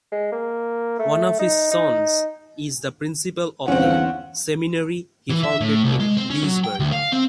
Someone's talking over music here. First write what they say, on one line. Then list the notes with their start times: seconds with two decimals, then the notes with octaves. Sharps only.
One of his sons is the principal of the seminary he founded in Dewsbury.
0.12 G#3
0.32 A#3
0.99 A3
1.39 D#4
1.71 D#4
3.68 G1 E2 C4 C#4 F5 F#5
5.30 E3
5.44 E5
5.61 A2
5.84 C2
6.00 G#3
6.17 C4
6.30 C#4
6.43 F#3
6.64 G5
6.80 D2
6.92 F5
7.12 C4